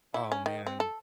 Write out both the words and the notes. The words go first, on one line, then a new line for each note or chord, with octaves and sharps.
Oh, man.
E4
C#4
D#3
C4
A4